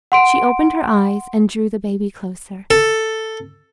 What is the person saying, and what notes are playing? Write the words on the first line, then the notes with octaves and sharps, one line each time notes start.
She opened her eyes and drew the baby closer.
F#5 C6 D7
A4